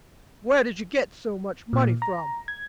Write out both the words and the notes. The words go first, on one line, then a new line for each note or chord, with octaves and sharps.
'Where did you get so much money from?'
A#2
A#5
G#6